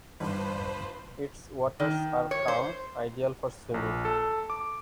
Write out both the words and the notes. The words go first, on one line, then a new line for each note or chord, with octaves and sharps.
Its waters are calm, ideal for swimming.
G1 G2 B4 C5
D#3
C#5
C5
A#1
A4
D6